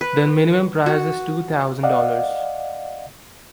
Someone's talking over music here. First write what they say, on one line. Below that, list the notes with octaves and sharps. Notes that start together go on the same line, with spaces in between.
The minimum prize is two thousand dollars.
B4
F#4
D5 D#5 F5 F#5